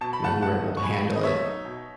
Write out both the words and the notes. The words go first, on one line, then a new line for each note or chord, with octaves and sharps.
You know, we were able to handle it,
B2 A5
B5
A3 F#5 A5
B1 F#5 A5
D#4
C#6
B2 G#5 B5
A3
D#5
B1 C#5 E5
D#4
B2